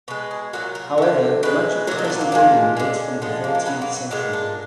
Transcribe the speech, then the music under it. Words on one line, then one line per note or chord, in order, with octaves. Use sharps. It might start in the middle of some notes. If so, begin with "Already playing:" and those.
However, much of the present building dates from the thirteenth century.
B2 G#3 B4
G#4
A#2 F#3 F#4
A#4
D3 F#3
B2 G#3 B4
A#2 F#3 A#4
D#4
D4
B3
A#3
A#2 F3 G#3
D3 G#3
D3 F3 G#3 B3
A#3
A#3
B2 F#3 B3
A#3
B3
A#2 G#3 B3
D4